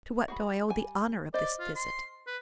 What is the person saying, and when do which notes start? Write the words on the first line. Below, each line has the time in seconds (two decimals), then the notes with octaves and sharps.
"To what do I owe the honour of this visit?"
0.28 F#4 G#4 B5
0.69 G3 G#5
1.34 C5 D5 D#5
1.60 F4
1.76 C6
2.27 B4